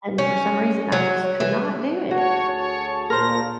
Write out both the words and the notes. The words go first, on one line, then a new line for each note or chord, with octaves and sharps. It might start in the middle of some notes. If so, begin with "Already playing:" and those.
and for some reason, I just could not do it,
C#4
F#3
E3
D2 F#4 G#4 C#5 A5
C#5
A#2 A#4 C5 A#6